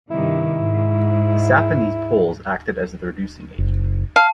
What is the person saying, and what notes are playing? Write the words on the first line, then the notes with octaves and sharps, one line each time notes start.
The sap in these poles acted as the reducing agent.
G2 C3 D#3 E4
G#2
F#1
F5 A5